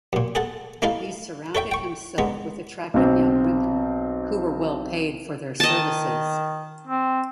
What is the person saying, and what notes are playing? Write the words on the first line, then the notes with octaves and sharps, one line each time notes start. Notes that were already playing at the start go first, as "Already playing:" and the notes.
He surrounded himself with attractive young women, who were well paid for their services.
F#2 A#2
G#4 A4 F#5 A5
A3 D#4 E4 A4 F5
A4 C#5 E5 G5
G5 C#6
G#3 B3 D#4
B1 C4
D#3 D#5 A5
C4